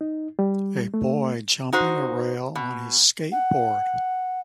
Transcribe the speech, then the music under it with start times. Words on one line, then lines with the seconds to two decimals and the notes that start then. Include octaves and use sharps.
A boy jumping a rail on his skateboard.
0.01 D#4
0.39 G3
0.94 A3
1.73 D#4 F#4 C5
2.55 B2
3.32 F#5